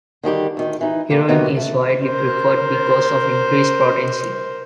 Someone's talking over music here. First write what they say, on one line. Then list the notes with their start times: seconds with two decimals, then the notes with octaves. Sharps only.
Heroin is widely preferred because of increased potency.
0.23 D3 D#3 G3 G4
0.57 D2 D#3
0.81 E3 D#4
1.10 A#3 G4
1.28 C3 D#3 B3 D#4 F#4
1.57 A3
2.04 A#4 C5